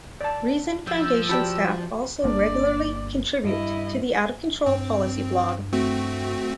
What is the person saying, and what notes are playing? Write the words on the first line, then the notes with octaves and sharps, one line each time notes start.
Reason Foundation staff also regularly contribute to the "Out of Control Policy Blog".
D5 A5
F3 G5 E6
F#4 G4 D5 G5 A5 B5
G1 A#3 D4 D5
G2 E4 D#5
G2 C4
A3 C4 F#4